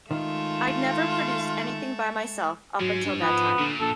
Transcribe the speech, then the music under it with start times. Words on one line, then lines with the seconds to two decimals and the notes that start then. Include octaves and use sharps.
I'd never produced anything by myself up until that time.
0.11 D#3 G#3 A3 F4 E5
2.80 G#2 F#3 G#3
3.05 G2
3.22 F3 B3
3.59 A#2 D3
3.80 A#1 A4